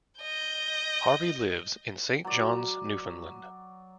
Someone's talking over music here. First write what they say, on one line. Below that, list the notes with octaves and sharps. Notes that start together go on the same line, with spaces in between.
Harvey lives in Saint John's, Newfoundland.
D#5 G6
F#3 D5